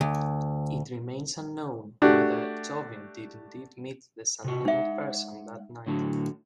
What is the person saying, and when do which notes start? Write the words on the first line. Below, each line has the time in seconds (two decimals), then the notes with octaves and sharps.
It remains unknown whether Jovin did indeed meet this unnamed person that night.
0.01 D2
2.02 A3 D4 F#4 G4
4.44 C3 F#4
4.65 G#3 D#4 E5 F#5
5.87 A2 D3 F#3